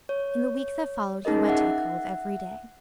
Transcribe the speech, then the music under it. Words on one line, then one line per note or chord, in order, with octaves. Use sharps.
In the week that followed he went to the Cove every day.
C#5
C#4 D#4 G#4 A#4 D#5
E5 F#5